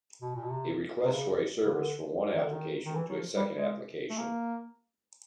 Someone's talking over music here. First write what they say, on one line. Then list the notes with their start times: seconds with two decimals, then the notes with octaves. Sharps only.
A request for a service from one application to a second application.
0.21 B2
0.36 A#2
0.43 B2
0.51 C3
1.05 C3
1.12 C#3
1.64 C#3
1.73 D3
2.34 D#3
2.44 D3
2.53 D#3
2.86 D#3
2.95 E3
3.09 F#3
3.16 F3
3.37 G3
3.56 G#3
4.10 A3
4.18 A#3